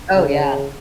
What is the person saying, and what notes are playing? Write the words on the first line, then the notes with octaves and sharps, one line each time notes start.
Oh, yeah.
C#3